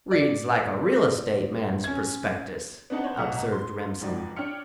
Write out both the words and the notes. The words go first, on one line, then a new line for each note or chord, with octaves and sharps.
"Reads like a real-estate man's prospectus," observed Remsen.
D5
C#4 G#6
B3 C4 D4 D#4 F#5 A5
C5 C#5
B1 B2 F#5 A#5
C6
C#2 G#2 F3 F#4 D5
D4 C#5 G5 F6 C#7